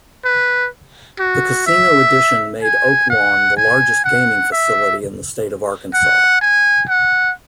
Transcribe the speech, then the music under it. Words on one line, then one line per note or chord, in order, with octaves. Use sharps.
The casino addition made Oaklawn the largest gaming facility in the state of Arkansas.
B4
F#4
E5
G#5
F#5
G#5
F#5
E5
F#5
G#5
F#5